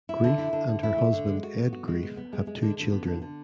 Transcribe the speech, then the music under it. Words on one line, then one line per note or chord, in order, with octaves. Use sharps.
Greef and her husband Ed Greef have two children.
E4
D3
E4
D3
D3
E4
A3
D3
G#3
F#4
B3
F#4
G#3
B3
B3
G#3
G#3
D3
D3
B3
D3
D3